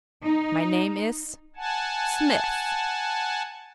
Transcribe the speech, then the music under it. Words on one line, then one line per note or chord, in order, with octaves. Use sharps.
"My name is--Smith."
D#4
F#5 G#5 A5